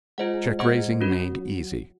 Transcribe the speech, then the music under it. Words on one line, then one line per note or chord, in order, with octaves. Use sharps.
Check-Raising Made Easy.
G#3 F4 C5 D#5 F#5
F4 C5 D#5 F#5
F#3 C#4 F#4 A#4